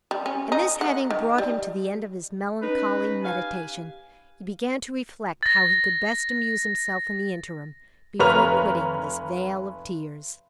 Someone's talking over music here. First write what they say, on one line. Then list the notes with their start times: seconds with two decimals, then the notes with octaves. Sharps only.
And this having brought him to the end of his melancholy meditation, he began to reflect how he could best amuse himself in the interim, before quitting this vale of tears.
0.11 G3
0.26 C#4
0.52 D#4
0.81 F#5
1.10 D#3
1.38 G3
2.61 C#4 D#4 B4
3.22 G4 F5 G#5
5.43 A6 A#6
8.20 F1 B4 C#5 A#5 F6 F7